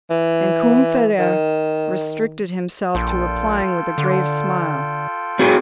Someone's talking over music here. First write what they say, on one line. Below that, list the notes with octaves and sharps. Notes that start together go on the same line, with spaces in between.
And Combeferre restricted himself to replying with a grave smile.
E3
D#3
A#1 F4 A4 G5
D3
C4 F#4 G#4